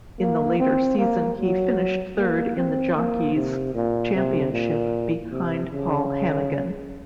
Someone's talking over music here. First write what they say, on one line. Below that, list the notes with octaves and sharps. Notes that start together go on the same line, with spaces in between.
In the latter season he finished third in the Jockeys' championship behind Paul Hanagan.
A#3
C4
A#3
F#3
A#3
C4
A#3
C3
A#2
C3
A#2
C3
C#3